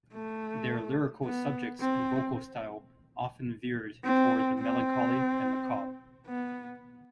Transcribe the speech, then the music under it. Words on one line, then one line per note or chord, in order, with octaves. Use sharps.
Their lyrical subjects and vocal style often veered towards the melancholy and macabre.
A3
B3
C4
C4
C4
B3